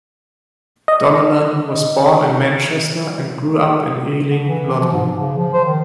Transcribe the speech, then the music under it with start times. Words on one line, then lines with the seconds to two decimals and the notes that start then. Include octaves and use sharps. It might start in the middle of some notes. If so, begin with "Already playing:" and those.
Donnellan was born in Manchester and grew up in Ealing, London.
0.88 D#5
4.25 D3
4.48 E3
4.81 F3
4.93 G#2
5.06 F3
5.20 C#3
5.38 F3
5.53 C5
5.65 D#3